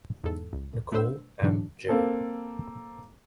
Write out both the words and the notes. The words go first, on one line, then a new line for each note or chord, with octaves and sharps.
Nicoll, M. J.
E2 G#2 A4
C#2
B2 A3 D4 B4 C5 E6
G#2 B2 D3 E3 F#3 D4
A#3 C4 A4